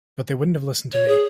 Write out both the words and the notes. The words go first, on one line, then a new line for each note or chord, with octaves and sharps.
But they wouldn’t have listened to me.
C#5
G#4